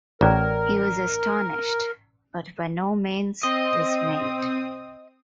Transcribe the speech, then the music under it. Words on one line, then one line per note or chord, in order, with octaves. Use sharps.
He was astonished, but by no means dismayed.
A1 C#4 A#4 D5 A#5
C4 D#5 D#6